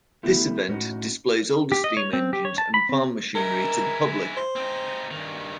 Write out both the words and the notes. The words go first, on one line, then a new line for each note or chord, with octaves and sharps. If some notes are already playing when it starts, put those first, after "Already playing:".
This event displays older steam engines and farm machinery to the public.
A3 B3 E4 G4
A2 C#4 D#4 F#4
G4
D#5
C#5
C4
G4
C#5
A5
B5
C4
G#3 E4 A#4
C5
C4 D#4
G2 D#3